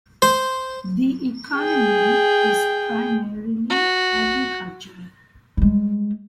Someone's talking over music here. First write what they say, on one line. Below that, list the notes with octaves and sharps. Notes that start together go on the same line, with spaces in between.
The economy is primarily agricultural.
C5
G#4 G5
F#4
G3 G#3